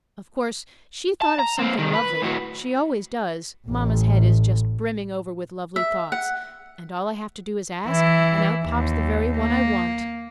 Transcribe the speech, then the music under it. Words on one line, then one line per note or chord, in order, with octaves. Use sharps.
Of course she thought of something lovely; she always does; Mama's head is just brimming over with lovely thoughts, and all I have to do is ask, and out pops the very one I want.
A5
A#5
A#3 C4
C3 D#3
B4
A2 F#4
A1
E5
F#5
E3 E4
D#2
A#3